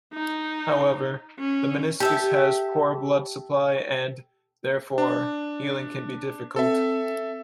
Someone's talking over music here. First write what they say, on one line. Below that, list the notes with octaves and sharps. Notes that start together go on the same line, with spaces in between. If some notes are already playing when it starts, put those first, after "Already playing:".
However, the meniscus has poor blood supply, and, therefore, healing can be difficult.
D#4
C#4
G4 A4 E5
D4
C4 A4 E5